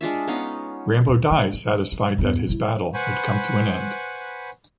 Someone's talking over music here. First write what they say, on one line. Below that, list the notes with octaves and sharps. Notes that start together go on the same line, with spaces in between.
Rambo dies satisfied that his battle had come to an end.
G#3 D4 F4 E5
B3 C#4 D#4 F5
D#2
G#3
G#3
G#3
E2 G2
D#1 E4
B4 C5 F#5 G#5 B5 C#6